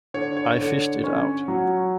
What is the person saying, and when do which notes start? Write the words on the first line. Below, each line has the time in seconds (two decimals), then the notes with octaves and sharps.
I fished it out.
0.14 D3 C#5
0.37 C#5
0.59 D3
1.04 C#4
1.48 F#3